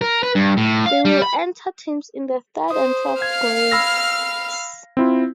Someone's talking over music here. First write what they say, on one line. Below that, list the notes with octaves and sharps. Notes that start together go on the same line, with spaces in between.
They would enter teams in the third and fourth grades.
A#4
B4
G2
A2
F5
G3
B5
C5 D#6
F5 F6 G#6
B5 E6 A#6
C4 E4 F4